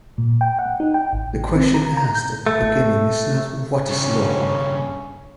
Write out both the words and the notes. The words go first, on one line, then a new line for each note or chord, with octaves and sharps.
The question asked at the beginning is not What is law?
A#2
G5
F#5
D#4
G5
A1
C4
A#5
A#5
G6
A3
G2 C#3 C#4